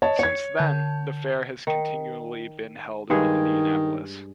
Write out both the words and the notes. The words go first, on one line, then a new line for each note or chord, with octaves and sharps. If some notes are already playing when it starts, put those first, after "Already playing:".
Since then, the fair has continually been held in Indianapolis.
C#5 D#5 A5
C#5 G#6 C#7
D3 A5 G6
D#3
G2 D#3 G#3 G#4